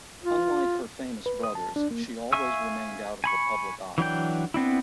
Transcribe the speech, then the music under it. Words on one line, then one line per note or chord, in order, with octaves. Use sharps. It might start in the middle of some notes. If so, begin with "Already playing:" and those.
Unlike her famous brothers, she always remained out of the public eye.
F4
B4
D#6
A5
D4
A#3
E5 F5 G#5 C#6 E6
G#5 B5 C#6
E3 F#3 D4 G5
B3 C4 D4 E4